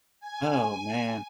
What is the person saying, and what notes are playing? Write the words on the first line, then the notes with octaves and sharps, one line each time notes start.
Oh, man.
G#5